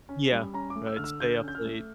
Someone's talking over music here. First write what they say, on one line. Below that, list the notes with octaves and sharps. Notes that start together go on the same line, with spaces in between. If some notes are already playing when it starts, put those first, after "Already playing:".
Yeah. Right, stay up late.
C#4
G3
C#4 A#5
D6
A3
E6
D3 F6
E6
D3 G6
C#4 G6
F6
A3